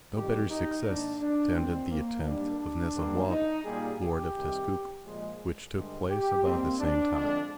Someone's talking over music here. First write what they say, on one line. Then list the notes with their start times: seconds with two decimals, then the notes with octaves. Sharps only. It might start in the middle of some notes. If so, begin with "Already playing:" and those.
No better success attended the attempt of Nezahuatl, lord of Tezcuco, which took place about the same time.
0.15 F2 D#3 G3 G4
0.50 D#4
0.85 G#2 D#3 A#3 D4
1.20 D4
1.55 F2 D#3 G#3 C4
1.89 A#3
2.25 G#2 G3 A#3 D4
2.60 D4
2.94 G2 D3 G3 A#3
3.29 D#4
3.64 A#2 G3 A#3 G#4
3.99 G4
4.34 C3 D#3 G3
5.04 A#2 F3 G#3
5.73 G2 D3 G#3
6.09 G4
6.43 G#2 G3 A#3 C4
6.79 D4
7.14 F2 D3 G#3 D4